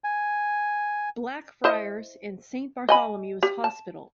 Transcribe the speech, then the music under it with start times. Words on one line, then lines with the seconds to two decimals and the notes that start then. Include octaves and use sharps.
Blackfriars and Saint Bartholomew's Hospital.
0.04 G#5
1.64 E4 C5 D#5
2.89 D#5 G#5 B5
3.43 G4
3.64 A5